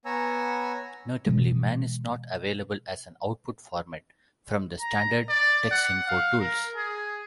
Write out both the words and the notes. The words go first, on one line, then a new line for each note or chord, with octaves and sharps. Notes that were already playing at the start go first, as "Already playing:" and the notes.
Notably, man is not available as an output format from the standard Texinfo tools.
B3 C#5 G#5 A#5 E6
B2 E3 G#3
A#5
D5
F#5
F5
A#4
G#4